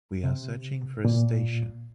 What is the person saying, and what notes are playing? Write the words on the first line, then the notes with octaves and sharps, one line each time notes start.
We are searching for a station.
C3
A#2